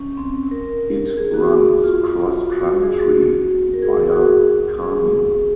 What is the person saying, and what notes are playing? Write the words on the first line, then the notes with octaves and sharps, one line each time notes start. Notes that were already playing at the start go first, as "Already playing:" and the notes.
It runs cross-country via Carnew.
Already playing: C#4
C4
A#4
G#4
F#4
F#4
F4
F#4
G#4
F#4
A#4
G#4
F#4
G#4
G#4